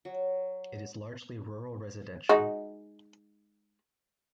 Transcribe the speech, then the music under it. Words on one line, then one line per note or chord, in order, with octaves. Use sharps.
It is largely rural residential.
F#3
G#3 D#4 F#4